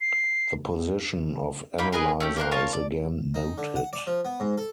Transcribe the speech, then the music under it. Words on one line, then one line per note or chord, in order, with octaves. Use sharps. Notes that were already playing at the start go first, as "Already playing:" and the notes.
The position of analyzer is again noted.
C7
A#3 D#4 B5
G#4 A#4 B4 D#5
A3 C#4 G4
A#3 A#4 C5 F#6
F4 A#4 C#5 A5
D5
D#4
D3
F#5
D5
F3
B3
G#2
A4